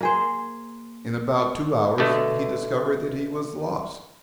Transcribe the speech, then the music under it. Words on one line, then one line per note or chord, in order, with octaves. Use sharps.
In about two hours he discovered that he was lost.
A#3 G#4 C5
B2 D3 A3